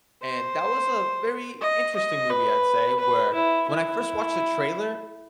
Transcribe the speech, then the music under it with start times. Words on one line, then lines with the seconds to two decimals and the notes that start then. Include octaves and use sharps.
and that was a very interesting movie, I'd say, where when I first watched the trailer,
0.22 C5
1.61 D#5
1.96 D#5
2.30 B4
2.99 B4
3.34 E4
3.68 E4